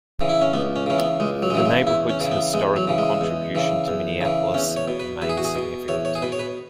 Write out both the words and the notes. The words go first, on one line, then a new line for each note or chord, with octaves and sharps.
The neighborhood's historical contribution to Minneapolis remains significant.
C#3 E3
E4
C#4
C#2 B3
C#4
C#3 E3 C#4
B3
C#2 G#3
F#3
G#3
C#3 E3 F#3
G#3
E2 E4
C#4
C#3 E3
B3
E2 G#3
F#3
C#3 E3
G#3
E2
C#3 E3
E2
C#3 E3
E2 C#4
C#5
B2
B4
E2 B4
G#4
F#4
G#4
B2
E2 C#5
C#5
G#4
B2 B4
C#5
B4